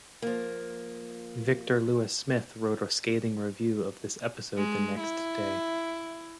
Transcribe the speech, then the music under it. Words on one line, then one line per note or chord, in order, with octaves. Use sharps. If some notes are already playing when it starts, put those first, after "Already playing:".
Victor Lewis Smith wrote a scathing review of this episode the next day.
F3 A#3
G#3
E4